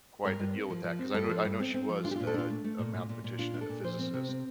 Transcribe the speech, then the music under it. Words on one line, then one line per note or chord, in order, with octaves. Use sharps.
quite a deal with that, 'cause I know I know she was a a mathematician and a physicist.
G2 A#4
G2
C4
F3
F3
C4
G2 A4
F3
G2
C4
C4
F3
D4 F4
G4
A#2 F4
A4
D4 F4
A3
A3
A#2
A#2
A#2
A#2
D4 F4
D4
A4
A#2
F3 C5
C4
C3
C4